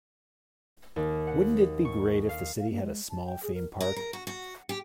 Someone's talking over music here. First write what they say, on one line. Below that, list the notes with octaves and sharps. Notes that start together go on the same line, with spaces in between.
Wouldn't it be great if the city had a small theme park?
D#2
F#5
C#6
F5
F5
A#3
G#3
A5
G5
G#4
A#4
A#4
A#4
F#4
F#4
G4